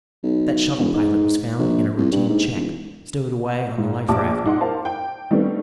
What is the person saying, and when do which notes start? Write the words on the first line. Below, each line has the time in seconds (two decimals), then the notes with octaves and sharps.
That shuttle pilot was found in a routine check, stowed away on the life raft.
0.23 B1
0.78 E1
0.94 G#2
1.59 A#1
1.98 C2
2.12 G2
2.29 G#2
2.53 E1
3.78 G#2
4.08 A#1 G4 A5 D6
4.44 G2 D#4 F#5 C6
4.61 A#4 C5 F5 A5
4.85 G5
5.31 D#3 G3 A3 B3 C4 D4